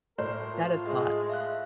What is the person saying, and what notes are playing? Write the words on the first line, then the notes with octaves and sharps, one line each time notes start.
That is a lot.
A2 A#4 C5
F4
G#3
E5 F5 F#6